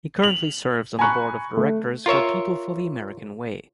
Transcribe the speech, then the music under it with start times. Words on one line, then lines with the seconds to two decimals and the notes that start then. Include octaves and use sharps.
He currently serves on the Board of Directors for People for the American Way.
0.22 F7 F#7
0.99 G#5 A#5 B5 C#6 F#6
1.57 A3
2.06 F4 A#4 C#5 E5